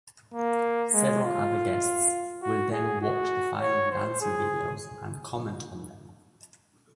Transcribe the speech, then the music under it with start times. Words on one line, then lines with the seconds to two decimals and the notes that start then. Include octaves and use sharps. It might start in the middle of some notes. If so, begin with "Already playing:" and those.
Several other guests will then watch the final dancing videos and comment on them.
0.35 A#3
0.94 G#3
1.24 F4
2.43 F#4
2.72 G#4
3.02 F#4
3.61 C#5
3.92 C5
4.21 G#4